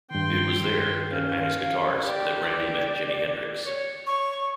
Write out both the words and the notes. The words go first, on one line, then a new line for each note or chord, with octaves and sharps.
It was there, at Manny's Guitars, that Randy met Jimi Hendrix.
G2 D#3 G5 C6
C#4 F5 F6
G4 D5
C#5
C#5 C#6